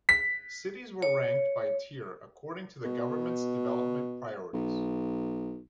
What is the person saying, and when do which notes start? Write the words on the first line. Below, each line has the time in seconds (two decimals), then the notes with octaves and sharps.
Cities were ranked by tier according to the government's development priorities.
0.09 B6
1.02 C#5
2.85 B2
4.53 B1